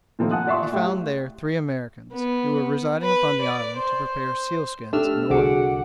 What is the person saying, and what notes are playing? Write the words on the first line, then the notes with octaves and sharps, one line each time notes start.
He found there three Americans, who were residing upon the island to prepare sealskins and oil.
A#2 D#3 F3 A3 A#3 C4
F#5 G#5 A5 D#6 F#6
F4 D5 E5 C6 C#6
A2 G4 F5
B3
B4
D5
C5
A3 D4 G4 E6 F6
C2 D3 F#4 G#4 F#5 D6